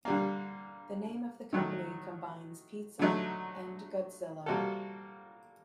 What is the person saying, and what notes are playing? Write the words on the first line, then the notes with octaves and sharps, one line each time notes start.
The name of the company combines "pizza" and "Godzilla".
D3 G3 A#3
D#3 F#3 A3
D3 F#3 A3 D#4
C3 G3 A#3 F#4 A4